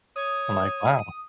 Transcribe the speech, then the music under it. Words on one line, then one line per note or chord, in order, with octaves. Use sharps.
I'm, like, "Wow.
C#5 D#6